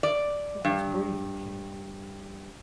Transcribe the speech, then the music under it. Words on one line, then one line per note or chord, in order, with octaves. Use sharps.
"That was brave of you."
D5
G2